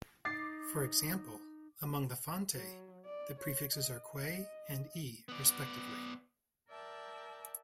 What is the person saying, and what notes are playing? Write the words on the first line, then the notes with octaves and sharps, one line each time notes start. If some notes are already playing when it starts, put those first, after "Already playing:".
For example, among the Fante, the prefixes are "kwe-" and "e-", respectively.
D#4 D6 A6 C7
F#3
D5
C#5
D#5
D#5
B3 D5
A#4 D5 E5 G5 A5